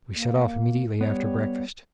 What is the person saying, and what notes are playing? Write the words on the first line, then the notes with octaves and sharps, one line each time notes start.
We set off immediately after breakfast.
A#3
G3 B3 C#5